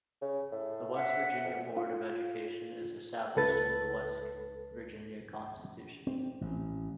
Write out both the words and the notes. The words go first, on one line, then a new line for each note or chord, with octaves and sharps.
The West Virginia Board of Education is established in the West Virginia Constitution.
C#3
A2
E5 F#5
F2
F4
C#2 A4 B4 A6
C4
A1